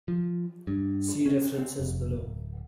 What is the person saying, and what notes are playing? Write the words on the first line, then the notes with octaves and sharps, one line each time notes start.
See References below.
F3
G2
C#4
C4
F1
D1